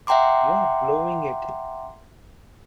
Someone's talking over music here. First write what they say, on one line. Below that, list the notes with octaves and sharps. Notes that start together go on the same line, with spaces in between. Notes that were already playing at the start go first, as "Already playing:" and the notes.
You're blowing it!
E5 F#5 G5 A#5 C6 D6